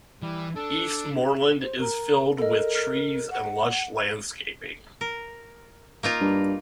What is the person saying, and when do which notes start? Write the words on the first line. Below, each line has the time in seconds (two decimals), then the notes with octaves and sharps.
Eastmoreland is filled with trees and lush landscaping.
0.22 E3 G3
0.56 D4 A4
1.62 C5
1.80 A#4 A#5
2.38 A4 A#4 D#5
2.75 F6
3.30 F#5
5.01 A#4
6.03 A#3 D#4 F4
6.21 G2